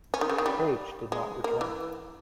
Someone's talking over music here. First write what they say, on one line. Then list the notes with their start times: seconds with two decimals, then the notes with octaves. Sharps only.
Page did not return.
0.14 C#4
0.21 D#3
0.29 C#3
0.38 D#3
0.46 G3
1.12 G#3
1.44 A#3
1.61 E3